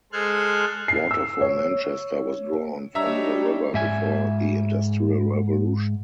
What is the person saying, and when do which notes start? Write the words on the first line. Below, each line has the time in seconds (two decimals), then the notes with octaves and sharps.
Water for Manchester was drawn from the river before the Industrial Revolution.
0.13 G#3 A4 C5 F6 F#6 G#6
0.88 C7
1.11 E6
1.41 C#5
2.95 G3 D4 D#4 C#5 E5 A#5 E6
3.74 G#2 E5 G#5